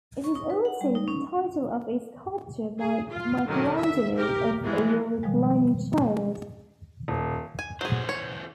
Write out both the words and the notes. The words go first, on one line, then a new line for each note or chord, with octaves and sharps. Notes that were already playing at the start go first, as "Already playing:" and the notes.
It is also the title of a sculpture by Michelangelo of a reclining child.
C#6
D#4
B4
F#5
G3
D#4
C#4
G#4
F4
D3 D#3 F#3
E5
G4 A#4
E3 F3 G#3 B3
B2 D#3 F3 G3 G#3
D#1
G#5
E2 F#3 G#4 C5
C#5